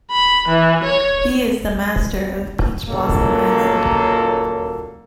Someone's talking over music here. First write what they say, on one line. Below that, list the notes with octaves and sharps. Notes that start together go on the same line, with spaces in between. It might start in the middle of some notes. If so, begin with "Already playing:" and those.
He is the master of Peach Blossom Island.
B5
E3
C#5
C#2 A#2 F#3 A#3 A4